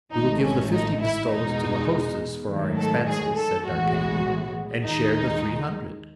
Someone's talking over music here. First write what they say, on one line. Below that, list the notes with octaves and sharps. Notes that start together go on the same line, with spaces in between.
"We will give the fifty pistoles to the hostess for our expenses," said D'Artagnan, "and share the three hundred."
A1 G#2 D#3 A3 D#4
C#4
D#4
E4
E2 B2 G#3 D#4
G#2 D#3 F#3 A3
A4
G#4
A4
B1 A2 E3 G#3 F#4
D#2 D#3 G#3 D#4